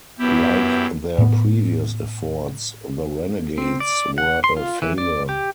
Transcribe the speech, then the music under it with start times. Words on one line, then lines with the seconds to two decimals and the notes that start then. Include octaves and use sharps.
Like their previous efforts, the Renegades were a failure.
0.19 F#2 B3 E4 G4
1.18 A2 B3
3.58 C4
3.80 D5
4.18 F#5
4.44 C6
4.57 F4
4.82 E3
4.98 D5
5.29 G4